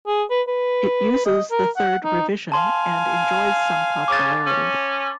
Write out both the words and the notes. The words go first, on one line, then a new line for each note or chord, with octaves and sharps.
It uses the Third Revision and enjoys some popularity.
G#4
B4
B4
D#5
A#4
F#5
D#4
F5 G#5 A5 C6
C#3 D6 A6
C#4